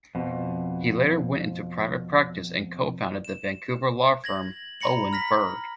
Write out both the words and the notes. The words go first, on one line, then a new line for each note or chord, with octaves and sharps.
He later went into private practice and co-founded the Vancouver law firm Owen Bird.
F2 B2
E7
G#6 A#6 F#7
A#5 B5 A#6 C#7 F#7
F6 A#6 B6